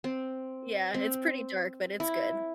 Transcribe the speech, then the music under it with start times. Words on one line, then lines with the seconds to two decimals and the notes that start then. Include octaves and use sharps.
Yeah, it's pretty dark, but it's good.
0.04 C4
0.94 C4
2.00 E4